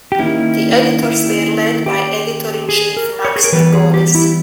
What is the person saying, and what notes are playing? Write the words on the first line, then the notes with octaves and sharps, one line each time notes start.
The editors were led by Editor-in-Chief Max Margolis.
G4
D#3 A#3 C#4 E4
E4
G4
G#4
A#4
C#5
G#4
A#4
E3 G3 B3 B4
G#4
G4
G4
E4